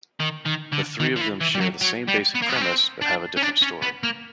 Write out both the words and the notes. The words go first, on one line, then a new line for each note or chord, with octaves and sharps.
The three of them share the same basic premise but have a different story.
D#3
D#3
D3
D#3
F3
E3
E3
G3
F#3
F#3
G3
B3
A#3
B3
C#4
C4
D4
C#4
D4
C#4
B3
A#3